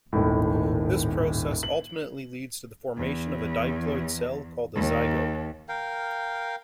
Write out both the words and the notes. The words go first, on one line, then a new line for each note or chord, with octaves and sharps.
This process ultimately leads to the formation of a diploid cell called a zygote.
D#1 G#1 A2
F#7
E2
D#2
A#4 F5 G5